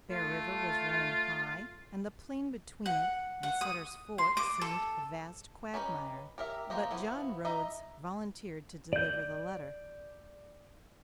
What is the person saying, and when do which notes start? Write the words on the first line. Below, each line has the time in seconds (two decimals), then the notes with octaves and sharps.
Bear River was running high, and the plain between it and Sutter's Fort seemed a vast quagmire, but John Rhodes volunteered to deliver the letter.
0.11 A3 F4
2.86 F#5
3.43 F#5
3.61 D#6
4.18 C6
4.37 D6
4.61 A4
5.74 C#4 D#4 G4 B4
6.38 G4 A#4 E5
6.70 F3 G#3 A#3 G4 D#5
6.91 F3 B3 E4
7.45 D#4 D#5 E5
8.93 D5 G6